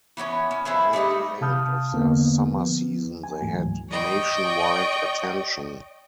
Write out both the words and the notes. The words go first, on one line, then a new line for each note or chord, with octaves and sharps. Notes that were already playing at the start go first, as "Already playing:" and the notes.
By the end of their summer season, they had nationwide attention.
E3 B3 C#4 C#5
C#4
C4 G#4 B4 E5
G3 A3 D#4 D#5
C3 F5 A5 D#6 F6 G6
E2 D3 A#3 B3
F3 B3
G#5
D2 G#2 E3 F#3 A3
D5 D#5 G5 C#6